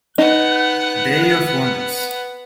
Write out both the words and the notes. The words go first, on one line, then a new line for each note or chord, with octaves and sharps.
Day of wonders!
B3 D#4 F#5